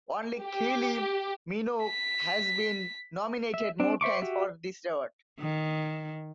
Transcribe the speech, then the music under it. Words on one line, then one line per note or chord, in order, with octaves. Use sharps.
Only Kylie Minogue has been nominated more times for this award.
G4
B6
E5
C4 D4
C5 E5 C#6 D6
F#4 G4 E5
D#3